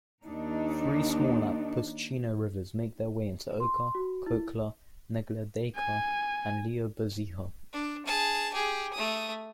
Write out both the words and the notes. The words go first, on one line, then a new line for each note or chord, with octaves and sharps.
Three small at Pushchino rivers make their way into Oka: Khokhla, Neglyadeyka and Lyubozhiha.
D#2 D4 D#4
C6
F#4
E4
G#5
D4
G#4 A5
G4 G#4
A3 D#6